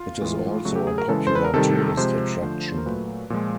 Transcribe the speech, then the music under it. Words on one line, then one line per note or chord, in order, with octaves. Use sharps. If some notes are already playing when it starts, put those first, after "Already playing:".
It is also a popular tourist attraction.
Already playing: F4
A2 E3 G#3
C#3 F#3 A3 F#4
G4
G#4
A#4
C#3 E3 G#3 A4
C5
B4
A#4
C3 D#3 G3 A4
C3 F3 G#3 C5
D3 F3 A3
A#4
A#2 F#3 A3 B4
A#2 F3 G#3